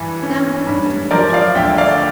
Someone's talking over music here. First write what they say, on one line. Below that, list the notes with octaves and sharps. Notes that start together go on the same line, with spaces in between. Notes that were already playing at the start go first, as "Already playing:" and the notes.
Now who could have foretold this?
Already playing: G2 E3
C#4
G2
F3 A#4 D5
D5 F5
D2 E5 G5
D5 F5